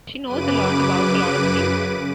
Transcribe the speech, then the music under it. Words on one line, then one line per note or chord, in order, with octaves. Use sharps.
She knows a lot about a lot of things.
F#2 C#3 B4 D6 D#7